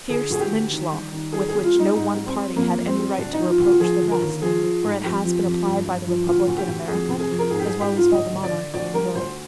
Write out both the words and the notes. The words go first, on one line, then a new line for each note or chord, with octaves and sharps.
Fierce Lynch law, with which no one party had any right to reproach the rest, for it has been applied by the Republic in America, as well as by the monarchy in Europe.
D3 G#4
D2 G#4
G4
D3
D#3
G3
D#3
G3 G#4
G#4
G3
F4
G3 D#4
G#2 D#4
G3
C4
G3
F2 A#3
F2
C4
G3
D2 D4
D#4
F3
F4
D2 F4
F3 G#4
D3
A#4
D#2
F3 G#4
F3
G#2
F2 G4
F3
F2
G2
G2
F3
D2 F4
D2
G4
D2
F2 G#4
C3
G#4
F2
A#4
G#2 G#4
G4
G#2 G#4
G4
G#2 F4
D2 D#5
D3
D5
D3
D2 D5
G3 A#4
D2 C5